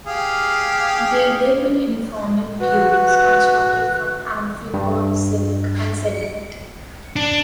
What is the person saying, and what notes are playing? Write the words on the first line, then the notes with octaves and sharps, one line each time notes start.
They live in infaunal tubes, constructed from "amphipod silk" and sediment.
G4 G#4 F5
F#4 B4 F#6
G2
D4